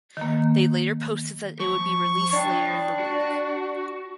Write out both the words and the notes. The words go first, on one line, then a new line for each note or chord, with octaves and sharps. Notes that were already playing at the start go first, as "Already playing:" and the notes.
They later posted that it would be released later in the week.
D#3 A#3
F3 C#6
D4 C#5 G5
F#4